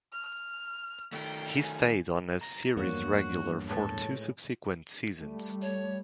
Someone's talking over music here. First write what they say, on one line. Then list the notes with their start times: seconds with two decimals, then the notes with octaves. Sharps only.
He stayed on as series regular for two subsequent seasons.
0.12 F6
1.13 D#3 A3 G5
1.61 G#5
2.41 A#5 A#6
2.76 E2 G2 F3 A#3 F#4 C#5
3.69 A2 G#3 A4 B4
5.20 G3 A3
5.62 C#5